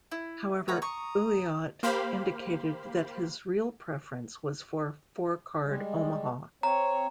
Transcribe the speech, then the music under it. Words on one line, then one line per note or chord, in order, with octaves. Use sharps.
However, Ulliott indicated that his real preference was for four card Omaha.
E4
A3 F#4 B4 C#5 F#5 A#5
A#5 C#6 D#6
A#3 G4 C5 F5 B5
G3 G#3
C4 C#5 A#5